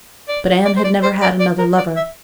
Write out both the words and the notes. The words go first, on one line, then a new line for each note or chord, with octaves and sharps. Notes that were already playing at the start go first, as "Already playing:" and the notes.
But Anne had never had another lover.
D5
D5
C5
D5
C5
D5
D5
A#4
D5
E5